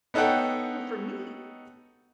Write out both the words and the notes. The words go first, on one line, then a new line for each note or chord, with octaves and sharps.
You know, for me,
B3 D#4 A4 C#5 F#5 G5